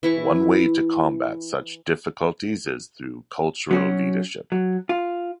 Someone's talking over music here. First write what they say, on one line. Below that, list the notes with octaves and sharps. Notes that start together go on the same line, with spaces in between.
One way to combat such difficulties is through cultural leadership.
E3 E4 C#6
F#3 C#4 F#4
F#3
F4